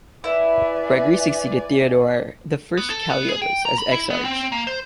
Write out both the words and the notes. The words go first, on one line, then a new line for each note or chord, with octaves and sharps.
Gregory succeeded Theodore the First Calliopas as Exarch.
E4 B4 D5 E5 G#5
B3
A4
B3
G#4
G5
A#5
B5
E4
B3
C4
A#3
C5